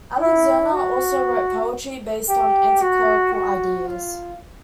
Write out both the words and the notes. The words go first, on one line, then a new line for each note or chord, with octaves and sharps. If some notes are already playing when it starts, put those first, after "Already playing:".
Alxinger also wrote poetry based on anticlerical ideas.
E4
F#4
G4
F#4
F#4
F4